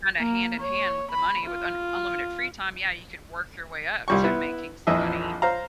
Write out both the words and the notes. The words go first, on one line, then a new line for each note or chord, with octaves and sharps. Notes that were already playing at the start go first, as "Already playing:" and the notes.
kinda hand-in-hand with the money, with un r unlimited free time. Yeah, you could work your way up to making some money,
A#3
C#5
B5
F4
C2 G3 C#6
B3 E4
A#1 F2 E3 D#5 E5
C5 F5 A#5